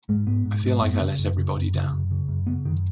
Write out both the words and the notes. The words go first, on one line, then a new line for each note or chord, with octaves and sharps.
I feel like I let everybody down.
G#2 G#3
G#2 B3
G#2
G#2
F#2 B3
B3
C#3 C#4
F#2
C#3
F#2
C#3
F#2
C#3
F#2
C#3 B3
F#2 D#3